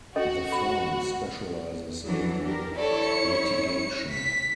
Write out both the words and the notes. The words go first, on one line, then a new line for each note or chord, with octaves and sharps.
The firm specializes in litigation.
C#4 F#4 A4 D#5
A4 B5
E3 F#3 D4
D4 G4 A#4
E4 A4 C#5 D5
C#7
B6